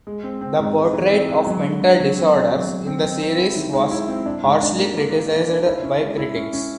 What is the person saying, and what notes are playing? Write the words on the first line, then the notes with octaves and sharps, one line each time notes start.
The portrait of mental disorders in the series was harshly criticised by critics.
G#3
C4
C4
G#2
G#3
E3
C4
G#3
F#3
D3
D3
F#3
C4
C4
F#3
F#3
C4
C4
C4
E4
D#3
G#3
E4
C4
D4
G#2
D4
A#3
A#3
A#3
A#3
D4
E4
C#4
G#3
E4
C#4
C#4